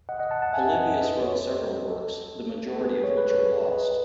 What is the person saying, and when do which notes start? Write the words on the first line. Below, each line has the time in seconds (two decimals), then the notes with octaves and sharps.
Polybius wrote several works, the majority of which are lost.
0.09 D#5 F#5
0.19 D#5 F#5
0.31 F#5 A5
0.42 F#5 A5
0.53 E5 G#5
0.76 D#5 F#5
0.99 B4 D#5
1.22 A4 C#5
1.44 A4
1.90 A4
2.75 A4
2.81 G#4 B4
3.04 C#5
3.18 B4
3.30 A4 C#5
3.72 B4 D#5